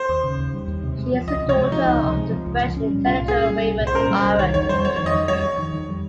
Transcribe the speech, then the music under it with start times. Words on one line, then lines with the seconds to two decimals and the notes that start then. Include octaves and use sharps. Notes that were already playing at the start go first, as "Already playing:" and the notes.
She is the daughter of the French intellectual Raymond Aron.
Already playing: C5
0.09 D#2
0.23 C#3
0.38 D#2
0.54 G3
0.67 D#2
0.83 C3
0.98 G#3
1.13 F3
1.28 C#2 D#5
1.43 C3
1.49 C#5
1.56 G#3
1.72 F3 D#4
1.87 C#2
2.02 C3
2.17 G#3
2.31 F3
2.46 C#2
2.61 A#2
2.77 C#4
2.90 G3
3.05 C2 F4
3.20 A#2
3.28 G#4
3.36 C#4
3.50 G3
3.65 C2
3.81 A#2
3.87 C5
3.94 C#4 A#4
4.10 G3
4.18 C5
4.25 C2
4.39 D#3 C#5
4.54 F2 C#5
4.69 G3 C5
4.84 F2 C#5
4.96 D#3 C#5
5.06 D#5
5.14 F2
5.28 G3 C#5
5.44 F2
5.58 D#3
5.73 F2
5.89 G3